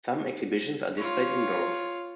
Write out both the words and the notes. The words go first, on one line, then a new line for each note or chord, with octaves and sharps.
Some exhibitions are displayed indoors.
F4 C#5